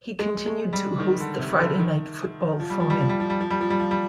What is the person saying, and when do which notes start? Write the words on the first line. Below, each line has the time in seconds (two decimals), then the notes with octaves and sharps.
He continued to host the Friday night football phone-in.
0.19 G#3
0.46 G#3
0.73 G3
1.00 D#3
1.20 D3
1.39 C3
1.60 D3
1.79 D#3
2.60 F3
2.70 G3
2.80 F3
2.90 G3
3.00 F3
3.09 G3
3.20 F3
3.30 G3
3.40 F3
3.50 G3
3.61 F3
3.70 G3
3.80 F3
3.91 G3